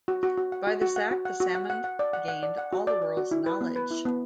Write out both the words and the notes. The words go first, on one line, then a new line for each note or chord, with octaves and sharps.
By this act, the salmon gained all the world's knowledge.
F#4
F#4
F#4
F#5
F#4
F#4
F#5
F#4
F#5
F#4
F#5
F#5
F#5
D5
F#5
F#5
D5
F#5
F#4
D5
D5
F#4
E4
B4
B3
B4
E4
B3